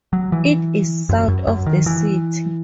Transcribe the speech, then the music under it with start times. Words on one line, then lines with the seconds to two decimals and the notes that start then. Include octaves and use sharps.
It is south of the city.
0.13 F#3
0.32 E3
1.09 F#2
1.28 F#2
1.47 F#2
1.66 D#3
1.86 E3